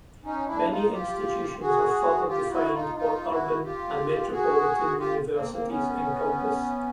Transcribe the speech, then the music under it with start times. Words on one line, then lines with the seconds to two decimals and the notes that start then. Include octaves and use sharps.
Many institutions have further defined what urban and metropolitan universities encompass.
0.24 C#4 D#4
0.47 D4 E4
0.69 D#4 F4
0.92 F4 G4
1.60 F#4 G#4
2.28 F4 G4
2.51 E4 F#4
2.73 D#4 F4
2.95 D#4 F4
3.29 E4 F#4
3.64 F4 G4
4.31 F#4 G#4
4.99 F4 G4
5.33 A#3 C4
5.51 A#3 C4
5.68 B3 C#4